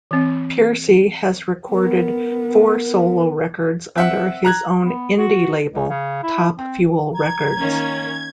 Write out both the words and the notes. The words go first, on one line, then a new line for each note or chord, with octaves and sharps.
Pearcy has recorded four solo records under his own indie label Top Fuel Records.
E3 C4
B3 A#4
C4 E5 F#5
A#5 F#6 G#6
B3
F#4
C#2
C#3
E4
C4
A#5 G#6
D#3 A#3 C#4 A#4